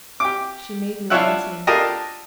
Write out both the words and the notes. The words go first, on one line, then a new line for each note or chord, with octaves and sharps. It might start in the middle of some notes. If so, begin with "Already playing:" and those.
She made no answer.
G4 D6
D4 E4 F4 C#5 E5 F#5
D4 F4 G4 A4 A#4 D#5